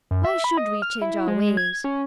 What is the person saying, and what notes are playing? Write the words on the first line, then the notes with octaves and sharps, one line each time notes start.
Why should we change our ways?
F#2
E5
B5
D#5
F6
E4
G#3
G#6
C#4